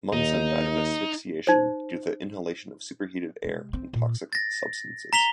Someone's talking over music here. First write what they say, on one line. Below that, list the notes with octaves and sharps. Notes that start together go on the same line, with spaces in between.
Munson died of asphyxiation due to the inhalation of superheated air and toxic substances.
D#2 D#4
D#4 C5
C3 G#3
C4
A#2
A6 A#6
A#5 B6 F7 G7